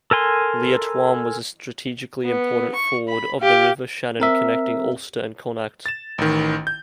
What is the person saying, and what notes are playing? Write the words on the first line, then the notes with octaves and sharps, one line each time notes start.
Liatroim was a strategically important ford of the River Shannon connecting Ulster and Connacht.
A4 A#4 G#5 C6
B3
C#6
B5
G4 F5
C4 A#4 E5
A6 E7
A1 D#3
G6